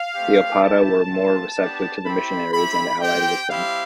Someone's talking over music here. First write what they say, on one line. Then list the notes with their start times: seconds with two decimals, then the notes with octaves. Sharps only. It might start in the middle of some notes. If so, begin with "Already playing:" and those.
The Opata were more receptive to the missionaries and allied with them.
Already playing: F5
0.14 A3 C4 G4
0.63 A3 E4 G4 A5
1.10 A3 C4 F4
1.58 B3 D4 G4
2.06 C4 E4 G4 B5
2.53 C4 E4 G4 B5
3.01 C4 G4 G5
3.49 G3 C4 E4 G4 F5